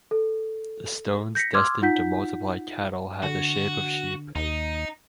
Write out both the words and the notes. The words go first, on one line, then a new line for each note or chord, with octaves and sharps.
The stones destined to multiply cattle had the shape of sheep.
A4
G6 A#6 B6 C#7
C6 D6 E6 F6 G#6
D#4 F4 F#5 G6 B6
D3 F#4
D#2 D#4